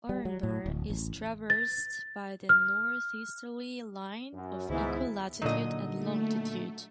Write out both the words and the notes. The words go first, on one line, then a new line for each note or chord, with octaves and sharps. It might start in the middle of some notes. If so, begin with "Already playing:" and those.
Orenburg is traversed by the northeasterly line of equal latitude and longitude.
G3
F#3
A2
D1
A1
A6
F6
F#2
C#2 G#2 D#3 B3 E4
A#2 D3 F#3 D#4 D#5
A3